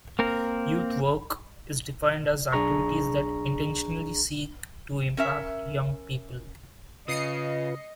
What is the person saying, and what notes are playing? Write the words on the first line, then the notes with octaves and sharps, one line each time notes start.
"Youth work" is defined as activities that intentionally seek to impact young people.
A#3 C4 A#4
B1 D4 G#4 A#5 C#6
C#4 A#4 E5
C#3 F4 B4 D#5 D#6 C7 C#7